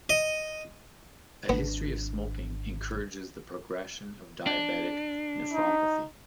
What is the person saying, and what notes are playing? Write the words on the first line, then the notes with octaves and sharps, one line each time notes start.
A history of smoking encourages the progression of diabetic nephropathy.
D#5
G#1 B3 D4
D4
D#4